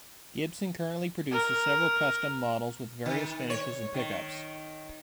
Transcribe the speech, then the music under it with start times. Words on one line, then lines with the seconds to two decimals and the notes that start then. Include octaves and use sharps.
Gibson currently produces several Custom models with various finishes and pickups.
1.32 A#4
3.06 D#3
3.50 C#5
3.94 D#3